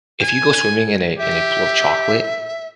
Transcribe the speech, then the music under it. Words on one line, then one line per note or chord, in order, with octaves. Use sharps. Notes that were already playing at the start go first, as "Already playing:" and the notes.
if you go swimming in a in a pool of chocolate,
G#5
G4 E5